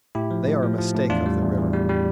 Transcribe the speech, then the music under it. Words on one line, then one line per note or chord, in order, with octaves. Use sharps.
They are a mistake up the river.
A2 E4 G4
F3
A2
F3
F3
A2
E2 D4 F4
G3
E2
E2
G3
G3